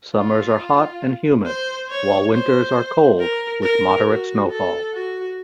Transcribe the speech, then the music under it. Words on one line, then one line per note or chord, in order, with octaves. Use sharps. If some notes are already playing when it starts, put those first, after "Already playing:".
Summers are hot and humid, while winters are cold with moderate snowfall.
F4
C5
C#5
C5
A#4
A#4
F#4
A4
F#4